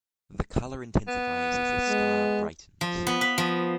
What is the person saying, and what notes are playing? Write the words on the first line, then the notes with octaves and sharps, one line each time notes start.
The color intensifies as the star brightens.
B3
G#3
F3
B3
B4
F3